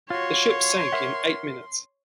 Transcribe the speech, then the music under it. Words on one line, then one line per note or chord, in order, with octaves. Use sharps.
The ship sank in eight minutes.
F4 F#4 C#5 C6
A#4 E5 F#5